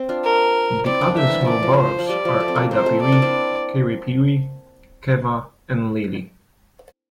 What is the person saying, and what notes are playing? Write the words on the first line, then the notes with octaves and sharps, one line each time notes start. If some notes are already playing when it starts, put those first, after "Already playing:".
The other small boroughs are Eidapere, Kaerepere, Keava and Lelle.
Already playing: C4
D4 F4
A#4
C4 E4 D5
A#3 D4
A3 C4 E5
D3 E3
F3
E3 D5
F3
C5
F3
G3 D5
F3
A3
C4
A#3
A3 C4 C5
A3 C4
D5
A#3 D4
C4 E4